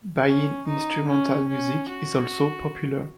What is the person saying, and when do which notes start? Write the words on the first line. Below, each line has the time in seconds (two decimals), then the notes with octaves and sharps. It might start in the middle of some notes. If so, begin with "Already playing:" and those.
Bayin instrumental music is also popular.
0.28 C#4
0.67 D#4
1.08 C#4
1.48 C#4
1.88 F#4